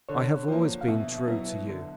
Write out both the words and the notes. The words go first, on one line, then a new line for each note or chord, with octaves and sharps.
I have always been true to you.
D3 C#5
F3 A#3
F5
B2 E5
F#3 B3 E4
D3